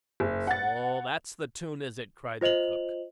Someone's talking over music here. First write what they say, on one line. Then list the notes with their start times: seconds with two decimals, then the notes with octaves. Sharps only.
"So that's the toon, is it?" cried the cook.
0.20 F#1
0.47 F#5 A6
2.41 F4 C5 D#5 F7 F#7